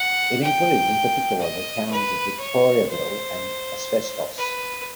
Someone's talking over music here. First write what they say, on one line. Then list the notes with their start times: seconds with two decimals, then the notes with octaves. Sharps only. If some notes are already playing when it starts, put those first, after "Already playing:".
It includes in particular the towns of Victoriaville and Asbestos.
Already playing: F#5
0.43 G5
1.41 D#5
1.91 B4
2.40 C#5
2.90 C5
4.38 B4